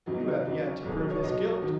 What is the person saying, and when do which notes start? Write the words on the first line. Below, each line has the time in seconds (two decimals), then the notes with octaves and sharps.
"You have yet to prove his guilt."
0.06 E2 C#3 F#3 D#4
0.20 D#4
0.33 D#4
0.45 E2 C#3 F#3 D#4
0.65 C#4
0.84 B1 B2 F#3 G#4
0.98 A#4
1.10 C#5
1.24 B1 B2 F#3 D#5
1.62 D#3 F#3